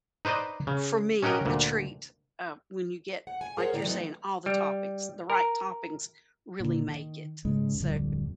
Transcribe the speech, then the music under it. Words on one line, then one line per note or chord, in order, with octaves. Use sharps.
for me, a treat, uh, when you get like you're saying, all the toppings, the right toppings really make it, so
D#4 B4 C5 D5 D#5
C#3
C#4 D#4 F#4 G4 A#4 D#5
D2 A#2
F#5
G#5
G#4 A#4 C5 C#5 F#5
A2 D3 E4 G4 D5 A#5
E3 F#3 A3 B3 C4 D#4
G3
A#4
A#2 D3
D#3
C#2 G#2 C#3 G#3
D1 F2 D3 G3